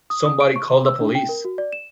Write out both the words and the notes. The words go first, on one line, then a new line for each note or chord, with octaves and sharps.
Somebody call the police!
D#6
D#6
D7
C#6
C6
E6
D4
G5
A#4
F#4
D5
E7